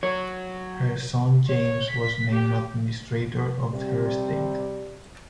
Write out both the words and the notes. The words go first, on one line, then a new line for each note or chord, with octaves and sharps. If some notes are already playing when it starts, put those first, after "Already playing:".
Her son James was named administrator of her estate.
F#3 C#5
C#5
B6
G4
C3 G3